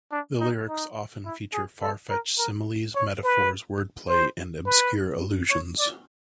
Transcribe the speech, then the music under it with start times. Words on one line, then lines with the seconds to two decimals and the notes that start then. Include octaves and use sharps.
The lyrics often feature far-fetched similes, metaphors, word play and obscure allusions.
0.12 D4
0.40 D#4
0.69 D#4
1.25 E4
1.54 G#4
1.82 A4
2.10 A#4
2.38 A#4
2.95 C#5
3.24 B4
4.09 C5
4.66 B4
5.50 C#5
5.79 D5